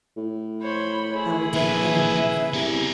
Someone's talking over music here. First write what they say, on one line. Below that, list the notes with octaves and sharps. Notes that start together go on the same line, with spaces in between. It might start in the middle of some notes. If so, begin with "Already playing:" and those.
I will do anything for thee.'
A2
C5 C#5 B5
E4 G#4
F3 A#3 B4 E5
C2 B3 A#4